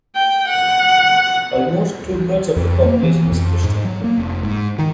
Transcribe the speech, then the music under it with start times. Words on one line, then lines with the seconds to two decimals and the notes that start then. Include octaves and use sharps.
Almost two-thirds of the population is Christian.
0.16 G5
0.48 F#5
2.56 F2
2.85 A#3
3.03 E3
3.32 F2
3.64 G#2
3.85 F#3
4.04 A#3
4.17 F1
4.43 G#2
4.79 D#3